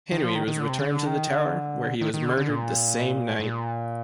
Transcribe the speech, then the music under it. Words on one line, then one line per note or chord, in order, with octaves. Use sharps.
Henry was returned to the Tower, where he was murdered the same night.
D#3
F3
D#3
D#3
D3
C3
D3
D#3
D3
D#3
D#3
D3
D3
A#2
G#2
A#2